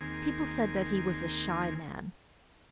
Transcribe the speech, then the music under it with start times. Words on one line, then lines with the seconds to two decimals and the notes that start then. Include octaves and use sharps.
People said that he was a shy man.
0.01 D#2 D#3 A#3 C4 G#4 G#5